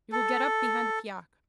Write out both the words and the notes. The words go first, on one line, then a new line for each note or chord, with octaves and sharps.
You will get up behind the fiacre.
A4